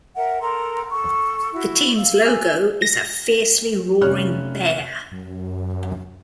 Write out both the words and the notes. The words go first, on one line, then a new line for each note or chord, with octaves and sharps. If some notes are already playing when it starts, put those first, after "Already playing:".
The teams' logo is a fiercely roaring bear.
A#4 E5 F#5
A4 A#4 A#5 C6
A4 C#6
E4 F#4
F5 E6
G#5 E6
A#6
F1 C#4 C#5 F6 F#6
F#2